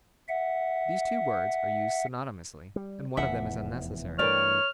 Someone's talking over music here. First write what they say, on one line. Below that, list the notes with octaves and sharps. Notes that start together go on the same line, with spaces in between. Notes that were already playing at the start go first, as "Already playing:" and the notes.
These two words are used synonymously, and one of them is unnecessary.
E5 F#5
G3
F1 E2 E3 E5 F#5
G2 E3 A3 A#4 B4 C#5 D5 F6